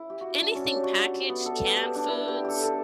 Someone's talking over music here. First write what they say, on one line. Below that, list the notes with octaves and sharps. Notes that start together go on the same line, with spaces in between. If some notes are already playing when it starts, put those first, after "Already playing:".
anything packaged canned foods,
Already playing: E4
G4
F#4
D4
C#4
D4
G4
F#4
F#4 G4
G4
B3
A4
G4
D4
E4
G4
G4 A4
A4